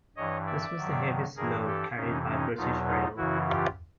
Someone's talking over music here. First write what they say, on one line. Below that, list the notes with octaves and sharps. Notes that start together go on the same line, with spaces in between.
This was the heaviest load carried by British Rail.
G2 E3 C#5 D#5
D5 E5
G2 D#3 F#3
G2 E3 G#4 A#4
G4 A4
F2 C3 E3 C#4 D#4
C#4 D#4
E2 B2 F#3 D#4 F4
D#4 F4
F#2 C#3 E3 E4 F#4
F4 G4